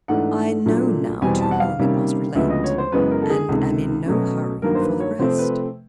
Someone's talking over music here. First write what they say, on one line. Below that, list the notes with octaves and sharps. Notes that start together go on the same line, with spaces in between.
I know now to whom it must relate, and am in no hurry for the rest.
G#2 E3 A3 D4 F#5
A#2 F#3 A3 D4
E2 B2 G3 C4 G#5
A5
F#5
F5
C3 D#3 G3 A#3 C#4
D2 C#3 F3 G#3 B3 E5
D#5
C#5
C5
F#2 C#3 E3 G#3 B3 B4
A#4
A4
G#4
C#2 C3 D#3 A4
B2 F#3 A3 C#4
G2 D#3 F#3 A#3 A#4
C5
B4
C#5
C3 F3 A3 C4 C5
B4